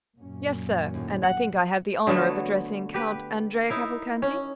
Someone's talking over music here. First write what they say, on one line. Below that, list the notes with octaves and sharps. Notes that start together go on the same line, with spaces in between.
"Yes, sir, and I think I have the honor of addressing Count Andrea Cavalcanti?"
F#2 A#2 C#4
D#2 A2
F#5
D3 F#3 A3 B3
G4 B4
D#4 E4 A#4
C#4